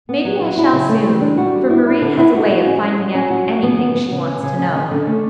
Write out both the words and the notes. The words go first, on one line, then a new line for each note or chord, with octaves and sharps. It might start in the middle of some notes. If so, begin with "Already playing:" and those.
Maybe I shall soon, for Marie has a way of finding out anything she wants to know.
B3
F#3
F#3
E4
C#3
A3
G3
D4
F#4
G3
E4
E4
D3
E4
F#4
F#4
C#4
F#3
F#3
C#4
F#4
F#3
B3
B3
B3
C#3
C#4
C#3
C#4
C#4
D3
A3